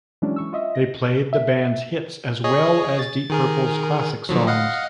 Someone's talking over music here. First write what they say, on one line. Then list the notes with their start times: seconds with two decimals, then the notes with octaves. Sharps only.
They played the band's hits as well as Deep Purple's classic songs.
0.22 E3 F#3 G#3 C#4 D4
0.36 E3 C#6 E6
0.53 F4 D#5 E5
0.75 A#6
1.33 E5
2.44 G#4 C#5 D#5
2.99 A6
3.30 D#3 G#4 A#4
4.29 D3 F3 F#3
4.47 D#5 F5 F#5